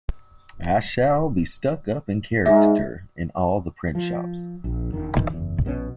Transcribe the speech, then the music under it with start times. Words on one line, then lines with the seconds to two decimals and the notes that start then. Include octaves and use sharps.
I shall be stuck up in caricatura in all the print-shops.
2.46 G#2 E5
3.95 F3
4.64 A#1
4.93 E1 D#3
5.14 G1 D#3 E3
5.33 F#1 E2
5.65 A#1 B2 F3 C#4